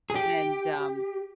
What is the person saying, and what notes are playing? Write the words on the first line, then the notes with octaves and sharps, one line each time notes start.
and um
G#4
G4